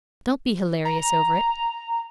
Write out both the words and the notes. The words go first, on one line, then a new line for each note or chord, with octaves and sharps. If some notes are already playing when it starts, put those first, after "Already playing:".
'Don't be hilarious over it.'
A#5